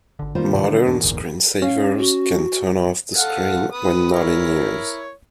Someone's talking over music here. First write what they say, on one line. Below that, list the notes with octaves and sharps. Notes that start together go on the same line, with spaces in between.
Modern screensavers can turn off the screen when not in use.
G#1 D3
D#3 G3 A#3 F4 C5
G#2 C3
D3 G3 D4
E2 G#2 A#3 D4
F#1 D2 A#2
C#4 F5
F#4
A4 F5 F#5
B4 D#6
E4 A#4 C#5